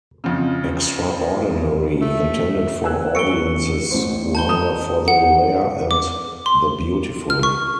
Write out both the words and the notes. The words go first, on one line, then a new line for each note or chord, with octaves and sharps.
Extraordinary, intended for audiences who hunger for the rare and the beautiful.
F2 C#3
A3
G#5 E6 F#6
C#6 E6 C#7 D7 G7
A1 C5
A5 G6 G7
A#5 D#6
F#5
D6
C6
F6
C#6